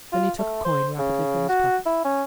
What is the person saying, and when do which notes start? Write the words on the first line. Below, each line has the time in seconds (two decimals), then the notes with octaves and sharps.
Then he took a coin rapidly from his pocket.
0.12 F4
0.39 A3
0.64 C5
0.98 C#3
1.49 F#4
1.86 E4
2.04 C#4